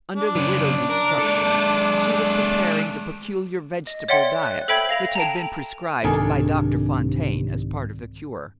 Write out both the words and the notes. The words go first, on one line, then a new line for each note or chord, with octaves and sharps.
Under the widow's instructions, she was preparing the peculiar vegetable diet which had been prescribed by Doctor Fontaine as part of the cure.
D4
C#3 F#3
A#4
G#3 A4
D#5
C#5 D5 E5 F#5 G5 C6
F#6
A4 C5 E5 G5 B5 G#6
F5 A#6 F7
G5 A5 A#5
C2 G#2 C3 D#3 D4 G#4 A4